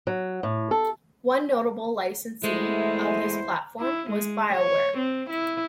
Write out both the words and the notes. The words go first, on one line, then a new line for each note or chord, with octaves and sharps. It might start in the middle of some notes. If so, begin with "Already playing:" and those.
One notable licensee of this platform was BioWare.
F#3
A2
A4
E2 G#3 A3 E4 C5
E4
G#3
C#5
C4
E4